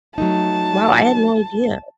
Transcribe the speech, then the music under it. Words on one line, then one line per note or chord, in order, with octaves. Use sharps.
Wow, I had no idea.
F#3 A3 D#4 A5